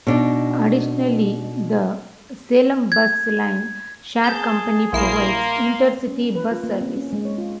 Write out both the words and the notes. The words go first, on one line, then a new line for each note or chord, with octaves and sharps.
Additionally, the Selam Bus Line Share Company provides inter-city bus service.
B2 D4 D#4
G#6
G#4 A5 G6
A#1 A#3 E4 C6 C7
C#4
A#4
B4
F4
A#3
C4
C#4
G#3
C#5
F4